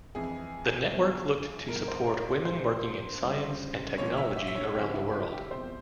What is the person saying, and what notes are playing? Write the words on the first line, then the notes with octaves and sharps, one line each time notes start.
The network looked to support women working in science and technology around the world.
F2 E3 G#3 G#4
G1 G2 F3
G1 G2 F3 G#3 A#4
C5
C#5
C#5
A#1 A#2 F3 G#3 C5
C#2 C#3 G3
C2 A#2 F3 C#5
E5
E5
E5
C#5
C#2 C3 F3 G#3 G4
E4
F4
G4
E2 C3 F3 G#3 C5